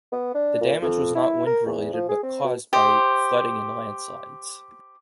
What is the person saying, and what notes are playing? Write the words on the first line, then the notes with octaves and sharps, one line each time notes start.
The damage was not wind related, but caused by flooding and landslides.
B3
D4
A#2
F2
E4
A#4
E2
F3
G#4
C4
B2
G4 C5 D#5